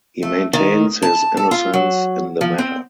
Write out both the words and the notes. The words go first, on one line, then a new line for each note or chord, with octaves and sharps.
He maintains his innocence in the matter.
A3
D#3
A5
A4
F4
F#3
F3
C4